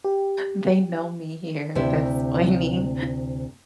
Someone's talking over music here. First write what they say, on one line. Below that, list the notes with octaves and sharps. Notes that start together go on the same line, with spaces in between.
They know me here, that's funny.
G4
D2 C3 E4 C5 E5